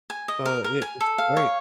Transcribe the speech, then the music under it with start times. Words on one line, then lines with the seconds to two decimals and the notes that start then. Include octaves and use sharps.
So, i it's great.
0.10 G#5
0.28 D#5
0.46 A#4
0.64 A#4
0.82 G#5
1.00 A4
1.18 F5
1.37 C#5